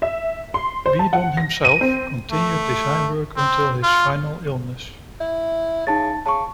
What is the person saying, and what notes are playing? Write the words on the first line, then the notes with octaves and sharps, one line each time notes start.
Weedon himself continued design work until his final illness.
E5
C6
C5
A5
F#5
A#6
D#7
C4
A3
C4
F4
E4
C#3 D#4 A5 A6
C#3 A5 C#6